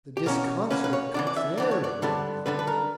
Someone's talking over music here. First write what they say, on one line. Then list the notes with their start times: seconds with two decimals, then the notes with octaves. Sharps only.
The disconsolate concierge would, though.
0.17 G4
0.26 B2 A#3 C#4 A#4
0.70 B2 A#3 C#4 B4
0.84 B4
0.93 C#5
1.14 E3 B3 D4 D5
1.27 D5
1.36 E5
1.57 E3 B3 D4 D5
1.71 C#5
1.84 D5
2.02 D3 G3 B3 D4
2.46 D3 G3 B3 D4 B4
2.59 B4
2.67 A#4